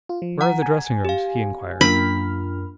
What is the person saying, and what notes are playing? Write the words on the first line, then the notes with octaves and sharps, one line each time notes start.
"Where are the dressing rooms?" he inquired.
F4
F3
F#5 A#5
G#5
G4 F5
F#2 A#3 D4 F4 B5 F6